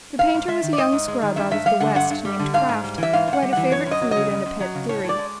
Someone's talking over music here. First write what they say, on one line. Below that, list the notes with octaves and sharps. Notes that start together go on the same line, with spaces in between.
The painter was a young scrub out of the West named Kraft, who had a favourite food and a pet theory.
G#2 F5
G#2
G#3 E5
D#3
D5
G#2 D#5
G#2
G#3
D#3
G2 E5
G2 E5
G3 F5
D3 F#5
G2 F#5
G2
G3
D3
G#2 F5
G#2
G3
E3 E5
G#2 F5
G#2
F#5
G3
E3 F#5
F#2 C#5
F#2
D#5
F#3
C#3 D#5
F#2
F#2
F#3
C#3
A2 C#5
A2
D5
G#3